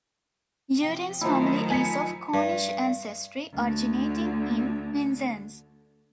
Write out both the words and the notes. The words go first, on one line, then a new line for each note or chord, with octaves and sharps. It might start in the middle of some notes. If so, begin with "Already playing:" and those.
Uren's family is of Cornish ancestry, originating in Penzance.
C3 F3 G5
D#3 F3 F#3 A3 D#4 E4
G#5 A5 B6 C#7
G2
D2 D3